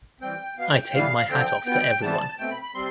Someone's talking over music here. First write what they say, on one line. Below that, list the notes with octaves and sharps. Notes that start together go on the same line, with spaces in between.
I take my hat off to everyone.
E3 G3 C4 G5
B2 B3 F5
G5
G5
A2 E3 G3 B3 F5
D3 F3 C4 G5
B2 B3 G5
C3 E3 G3 B3 A5
B2 A3 C4 G5
B5
B5
C3 G3 C4 C6